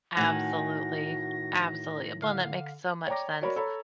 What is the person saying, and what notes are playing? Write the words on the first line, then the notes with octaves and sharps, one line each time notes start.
absolutely, absolutely well, and that makes so much sense.
A2 D#3 F#4 F#5 G#5 A#6
D3 F5
C#5 D5 G5 A#5 D6 A#6
F#4 A#4 C#5 D5 B5
A4 C#5 A#5 B5